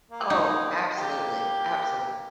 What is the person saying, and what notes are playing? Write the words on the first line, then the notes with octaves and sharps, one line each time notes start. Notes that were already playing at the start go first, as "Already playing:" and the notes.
Oh, absolutely, absolutely.
A#3
D#4
A#3 G4